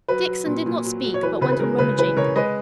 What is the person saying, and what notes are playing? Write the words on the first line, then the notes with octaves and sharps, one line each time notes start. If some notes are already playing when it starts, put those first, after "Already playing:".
Dixon did not speak, but went on rummaging.
F#3 B4
F#3
A#2
A#2
F#3
F#3
C#5
E3 B4
C#3 B4
B4
G#3 A#4
C#3 B4
E3 B4
C#3 A#4 C#5
G#3 B4 D#5